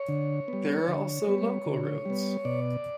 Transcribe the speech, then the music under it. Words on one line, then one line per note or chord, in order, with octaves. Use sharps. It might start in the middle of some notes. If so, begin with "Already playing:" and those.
There are also local roads.
Already playing: C#5
D3
G3 B3
D3
G3 B3
D3
G3 B3
B2 D5